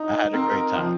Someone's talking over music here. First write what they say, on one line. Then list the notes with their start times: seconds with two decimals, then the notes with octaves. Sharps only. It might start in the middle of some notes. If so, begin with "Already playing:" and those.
I had a great time.
Already playing: D#4
0.33 C4 A#4
0.51 A#4
0.74 F3